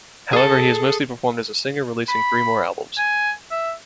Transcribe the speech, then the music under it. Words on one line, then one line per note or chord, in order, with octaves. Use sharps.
However, he has mostly performed as a singer, releasing three more albums.
G#4 A4
B5
G#5
E5